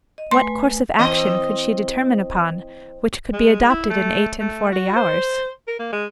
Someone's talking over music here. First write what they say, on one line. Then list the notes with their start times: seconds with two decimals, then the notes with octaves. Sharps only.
What course of action could she determine upon, which could be adopted in eight-and-forty hours?
0.18 D#5
0.31 A3 B4 G#5 C6
0.99 E3 C4 D#5
3.33 G#3
3.70 E4
3.90 A3
4.40 A3
4.72 F#4
4.96 C5
5.68 A#4
5.80 A#3
5.93 G#3